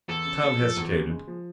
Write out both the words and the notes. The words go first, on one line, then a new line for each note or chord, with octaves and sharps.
Tom hesitated.
E2 A4
C#3
G#3
F3
E2
C#3
G#3
F3